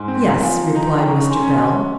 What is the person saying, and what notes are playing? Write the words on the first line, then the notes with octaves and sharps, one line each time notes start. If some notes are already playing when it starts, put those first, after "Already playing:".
'Yes,' replied Mr. Bell.
Already playing: G#2 G#5 C6
C4
C6
A#5
F3 F5 G#5
D#4 A#5
C6
G5 A#5
C#3 A#5 C#6
G#5 C6
C#4
G#5 C6